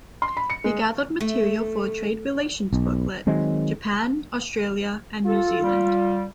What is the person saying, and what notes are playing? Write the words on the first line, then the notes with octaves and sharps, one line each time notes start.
He gathered material for a trade relations booklet, "Japan, Australia and New Zealand".
C6
B5
C#7
G#3
A3
B1
D#3 F#3 G#3 C4
F4 A4
G3